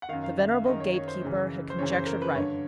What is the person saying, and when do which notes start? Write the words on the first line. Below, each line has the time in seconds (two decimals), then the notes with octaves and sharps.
The venerable gate-keeper had conjectured right.
0.02 F#5
0.09 F#2 D#3 F5
0.24 F5
0.38 E5
0.51 F5
0.65 F#2 D#3 D#5
0.80 C#5
0.94 C#5
1.08 C5
1.22 F#2 C#3 E3
1.70 C5
1.79 F#2 C#3 E3 C#5
1.93 C5
2.06 A#4
2.22 B4
2.35 G2 D3 C#5